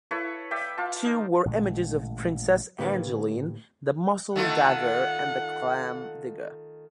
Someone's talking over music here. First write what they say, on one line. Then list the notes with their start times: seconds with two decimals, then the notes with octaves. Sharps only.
Two were images of Princess Angeline, "The Mussel Gatherer" and "The Clam Digger".
0.11 E4 A4 B4 C#5
0.51 D5 E5 G5
0.78 F4 A5
1.05 D#4
1.45 A1 A#2 D3 G#3
2.79 A2 D3 A#3 G4 B4 F5
4.36 D#3 A3 F4 F#5